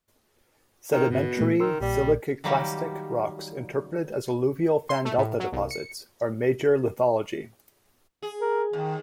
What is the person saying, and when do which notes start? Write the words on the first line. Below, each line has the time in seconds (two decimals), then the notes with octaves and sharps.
Sedimentary siliciclastic rocks, interpreted as alluvial fan-delta deposits, are the major lithology.
0.92 D#3
1.10 G#2 B2 D3
1.37 A#2 A3 B3
1.60 D#3 A#4 C6 E6
1.80 A#1 A#2 G3 D5
2.44 D#3 F#3 G3 A#3 G4
4.89 C6
5.05 A3
5.18 A2
5.40 F#3
5.52 C2
5.71 C#7
8.22 G#4
8.41 A#4
8.73 D#2 D#3